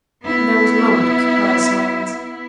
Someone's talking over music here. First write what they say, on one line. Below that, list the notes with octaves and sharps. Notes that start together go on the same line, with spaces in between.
There was a moment of surprised silence.
B3 E4